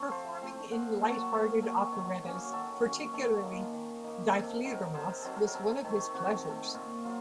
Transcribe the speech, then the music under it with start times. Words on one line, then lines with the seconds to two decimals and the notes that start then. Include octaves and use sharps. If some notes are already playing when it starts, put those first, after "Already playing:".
Performing in light-hearted operettas, particularly "Die Fledermaus", was one of his pleasures.
Already playing: A3 C4 A4
0.11 F3 C5
0.42 A3 C4
0.72 A#2 F#5
1.02 F#3 A3 F#5
1.11 A5
1.22 F#5
1.33 A#2
1.62 F#3 A3
1.92 D#3
2.23 F#3 A#3 C#4
2.45 F#4
2.52 D#3 A4
2.83 F#3 A#3 C#4 F#4
3.13 D#3 A4
3.33 F#4
3.43 A#3 D#4
3.53 F4
3.73 D#3
4.04 A#3 D#4
4.34 C3 A4
4.54 A#4
4.64 F#3 C4 D#4
4.74 A#4
4.94 C3 C5
5.07 A#4
5.22 F#3 C4 D#4 A4
5.35 A#4
5.47 A#4
5.54 C3 A4
5.84 D#3 A3
6.14 C3 F#4
6.44 D#3 A3
6.74 A#2 F4
7.05 F#3 F4